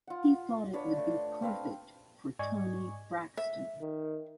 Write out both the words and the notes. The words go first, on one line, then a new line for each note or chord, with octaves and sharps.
He thought it would be perfect for Toni Braxton.
F4 F#5
D4 B4 C#5
A3
C4 B4 F5
G#2 D5 D#5 G#5 C#6 G#6
E5
D#3